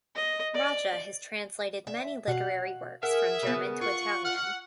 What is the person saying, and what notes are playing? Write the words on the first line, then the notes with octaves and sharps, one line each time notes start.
Raja has translated many literary works from German to Italian.
D#5
D5
E5
B2 F5 F#5
G#4 A#4 E5 F#5
C#3 B3
F4 F#5 C#6
F#5 F6